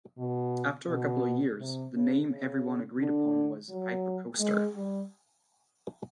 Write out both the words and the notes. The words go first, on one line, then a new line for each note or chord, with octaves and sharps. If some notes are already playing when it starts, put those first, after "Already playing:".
After a couple of years, the name everyone agreed upon was hypercoaster.
B2
B2
C3
C#3
C#3
D3
F#3
G#3
G3